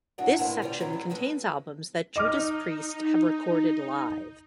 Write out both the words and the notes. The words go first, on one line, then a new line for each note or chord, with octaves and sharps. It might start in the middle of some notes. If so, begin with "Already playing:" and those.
This section contains albums that Judas Priest have recorded live.
D2 A2 F#3 D4 F#4 F#5
D#2 A2 D3 A#3 B3 C5
C#3 G3 F4 D5 G5
C#3 E3 F#3 C#4
G#2 F#3 A3
D#2 G#3 A3 B4
D#4 D#5 D6 F6